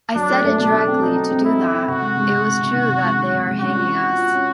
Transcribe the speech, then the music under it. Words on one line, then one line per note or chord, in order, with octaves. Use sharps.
I said it directly to do that, it was true that they are hanging us.
F#3 D4
A3
A3
B2 D4
A3
C4
F#3 D#4
C4
C4
C4 E4
C4
C4
C3 F#4
G#3
G#3
C3
C3
C3
D#3
C3
G#3
D#3
C3
G#3
C#4 F#4
F4
F4
F4
F4
C#4